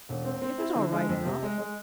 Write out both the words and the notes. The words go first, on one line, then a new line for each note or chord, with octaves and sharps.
It was all right enough.'
E1
C4
C4
E4
D3
G#3
F2
C3
G#3
G#3